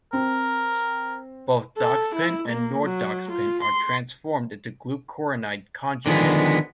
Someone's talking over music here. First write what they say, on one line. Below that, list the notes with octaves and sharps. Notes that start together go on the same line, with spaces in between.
Both doxepin and nordoxepin are transformed into glucuronide conjugates.
C4 A#4
A4
E4
A#3
F#3
F4
C6
D3 D#3 F3 G#3 B3